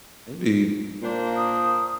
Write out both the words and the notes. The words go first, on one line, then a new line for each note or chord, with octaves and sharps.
It'd be
A#2 A#3 D4 C5
D#6